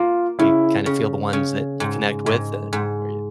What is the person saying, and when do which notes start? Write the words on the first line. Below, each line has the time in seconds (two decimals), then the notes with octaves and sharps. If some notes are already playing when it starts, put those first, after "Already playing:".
you kinda feel the ones that you connect with that or you
Already playing: A#3 F4
0.39 C#3 E4
0.86 C#3
1.33 C#3
1.80 G#2
2.26 G#2
2.73 G#2